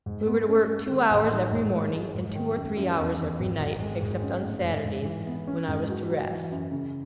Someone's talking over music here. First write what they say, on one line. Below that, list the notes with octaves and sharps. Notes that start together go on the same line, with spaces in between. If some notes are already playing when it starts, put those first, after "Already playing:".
We were to work two hours every morning, and two or three hours every night, except on Saturdays, when I was to rest.
G#2
B3
C#4
G#3
D#3
A1
D#4
G#2
G#3
G#3
G#2
D#3
F#2
F#2
E2
E2
G#1
G#1
G#3
G#2
C#4
A2
G#2
G#2
E3
B3
C#4
G#2
F#3
F#3
E3
F#2
C#3